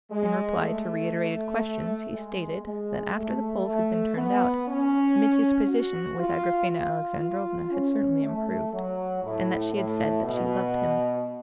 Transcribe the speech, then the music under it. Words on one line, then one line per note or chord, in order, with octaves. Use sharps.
In reply to reiterated questions he stated that, after the Poles had been turned out, Mitya's position with Agrafena Alexandrovna had certainly improved, and that she had said that she loved him.
G#3
A3
G#3
G#3
A3
A3
B3
C#4
F#4
F4
F4
F4
C#4
A3
F#3
A2
A2
B2